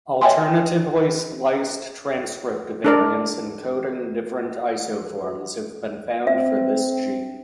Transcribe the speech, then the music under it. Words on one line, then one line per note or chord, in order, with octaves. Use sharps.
Alternatively spliced transcript variants encoding different isoforms have been found for this gene.
C#5 D#5 E5 G5 G#5 C6
D4 A#4 D5
C4 E5